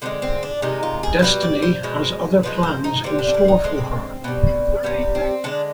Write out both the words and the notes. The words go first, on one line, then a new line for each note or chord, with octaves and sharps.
Destiny has other plans in store for her.
D3 F3 G#3 C4
C4
D4
C3 D#3 G#3 D#4
F4
G#4
C5
B2 G3 B4
D5
C5
B2 G#3
D3 F3 G#3 B4
C5
D#4
D3 G3 C4
D4
C4
D4
D#4
D3 G#3 C4
B2 G3
C3 G3 B3
C4
D3 G#3 D4